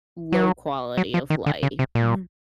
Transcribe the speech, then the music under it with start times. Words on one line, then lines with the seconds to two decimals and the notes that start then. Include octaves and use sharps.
low quality of life mhm.
0.32 F#3
0.97 F#3
1.14 F3
1.30 D#3
1.46 D3
1.63 C#3
1.79 C3
1.95 A#2